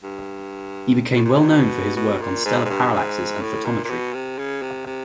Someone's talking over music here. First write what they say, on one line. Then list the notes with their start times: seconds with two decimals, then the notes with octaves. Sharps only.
He became well known for his work on stellar parallaxes and photometry.
0.03 G2
1.16 A2
1.25 A#2
1.33 A2
1.41 A#2
1.48 B2
1.96 B2
2.21 A#2
2.45 G#2
2.65 G#2
2.69 G2
2.93 G#2
3.42 A2
3.65 A#2
3.84 A#2
3.90 B2
4.14 C3
4.38 C#3
4.62 C3
4.86 C3